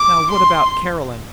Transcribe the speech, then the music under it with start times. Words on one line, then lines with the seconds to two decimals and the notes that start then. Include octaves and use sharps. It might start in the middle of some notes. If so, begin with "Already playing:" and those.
Now what about Caroline?
Already playing: D6
0.31 C6